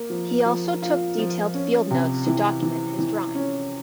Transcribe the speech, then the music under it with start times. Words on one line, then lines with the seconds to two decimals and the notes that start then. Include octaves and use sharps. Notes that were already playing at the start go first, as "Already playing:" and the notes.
He also took detailed field notes to document his drawings.
Already playing: A#3
0.10 F3
0.46 F3
0.82 F4
1.18 F3
1.54 C#4
1.91 C3
2.26 E3
2.62 E3
2.99 E3
3.35 C#4